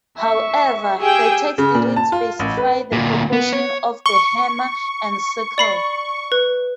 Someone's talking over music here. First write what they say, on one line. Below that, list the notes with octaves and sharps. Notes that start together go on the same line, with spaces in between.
However the text didn't specify the proportion of the hammer and sickle.
E5 C#6
G4 G#4 G5 E6
C#3
A#2
A5
F4
A1
B4
D2 A#2
B3
C#5
C#6 G7
D5 B5 C7
B4